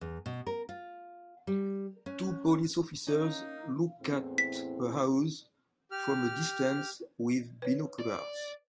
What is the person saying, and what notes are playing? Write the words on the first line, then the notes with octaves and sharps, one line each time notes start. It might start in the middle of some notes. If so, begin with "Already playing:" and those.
Two police officers look at a house from a distance with binoculars.
E2
B2
A#4
F4
G3
C#4
A#3 C#4 D#4
E2 A2 C4
B6
G4 F6
B4 C#5
D5